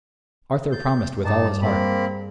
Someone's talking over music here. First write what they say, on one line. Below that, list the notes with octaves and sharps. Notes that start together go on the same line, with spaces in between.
Arthur promised with all his heart.
G6 A6 C7
G2 D#4 A5 D6
A#3 C4 G#4 B5